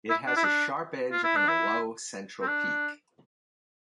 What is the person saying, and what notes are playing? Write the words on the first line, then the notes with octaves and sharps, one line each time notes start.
It has a sharp edge and a low central peak.
E4
D4
E4
D4
F4
E4
D4
E4
C4
D4